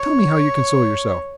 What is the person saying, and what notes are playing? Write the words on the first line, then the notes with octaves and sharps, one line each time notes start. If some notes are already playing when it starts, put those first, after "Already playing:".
"Tell me how you console yourself."
Already playing: C#5